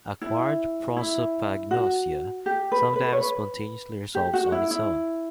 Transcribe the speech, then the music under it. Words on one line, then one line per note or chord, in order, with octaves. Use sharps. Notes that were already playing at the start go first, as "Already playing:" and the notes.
Acquired prosopagnosia sometimes spontaneously resolves on its own.
E4
E4
F#4
G4
B4
B4
C#5
B4
G4
F#4
E4
E4